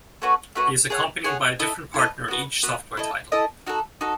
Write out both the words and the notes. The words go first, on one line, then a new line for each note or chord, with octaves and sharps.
He is accompanied by a different partner in each software title.
A3 C#4 F#4 B4
A3 C#4 F#4 B4
G#4 C#5 F#5
G#4 C#5 F#5
E4 A4 D#5
E4 A4 D#5
B3 F#4 B4
B3 F#4 B4
E4 A4 D#5
E4 A4 D#5
D#4 F#4 A4
D#4 F#4 A4